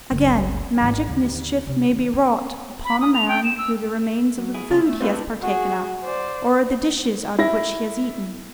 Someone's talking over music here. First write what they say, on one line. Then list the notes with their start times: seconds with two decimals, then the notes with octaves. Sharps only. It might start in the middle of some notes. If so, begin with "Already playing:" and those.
AGAIN, magic mischief may be wrought upon a man through the remains of the food he has partaken of, or the dishes out of which he has eaten.
0.12 F#1 C#2
0.81 G#1 E3
1.08 D#2 D3
1.67 C3
1.90 D#2
2.13 B3
2.85 B5
3.00 D#6
3.14 F7
3.28 G5
3.44 E7
3.58 E6
4.38 F#3
4.54 E4 G#4
4.70 C#3 C#4 F4 A5
4.86 A3 E5
5.00 G3 B3 C4 F4 B4
5.12 D4
5.41 F#4 G#4
6.04 C5 D5
7.39 E4 A#6